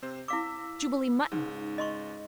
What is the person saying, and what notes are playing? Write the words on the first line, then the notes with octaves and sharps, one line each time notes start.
Jubilee mutton.
C3 C4 C5
E4 F5 D6 E6 B6
C#2 G#2
D#5 C6 C#6